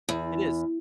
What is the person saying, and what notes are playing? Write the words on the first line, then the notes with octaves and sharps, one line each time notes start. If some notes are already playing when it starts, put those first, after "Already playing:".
It is.
E2